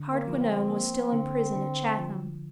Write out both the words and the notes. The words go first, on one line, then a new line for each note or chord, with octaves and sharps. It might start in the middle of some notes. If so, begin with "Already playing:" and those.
Hardquanonne was still in prison at Chatham.
Already playing: D3
A#3
F3
C4
A#3
D3
D3
F3